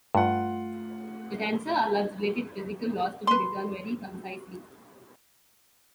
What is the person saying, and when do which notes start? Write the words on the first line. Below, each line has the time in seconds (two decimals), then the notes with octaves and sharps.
The tensor allows related physical laws to be written very concisely.
0.15 G2 A3 F4 F#5
3.27 B4 C6